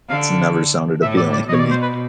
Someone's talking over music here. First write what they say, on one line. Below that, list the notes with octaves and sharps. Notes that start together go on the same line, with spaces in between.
It's never sounded appealing to me.
D3 F5
A2 E5
D5
D5
B2 D#5
C#5
D5
C5
B4